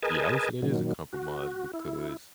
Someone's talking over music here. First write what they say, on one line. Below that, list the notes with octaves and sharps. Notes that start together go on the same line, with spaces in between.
Yeah, I would say it is a compromise because,
G#4 A#4 B4 D#5 G#5 A5
A#2 D#3 F#3
F#4
E4